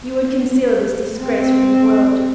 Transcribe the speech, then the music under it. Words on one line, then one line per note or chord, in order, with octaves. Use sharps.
You would conceal this disgrace from the world.
C4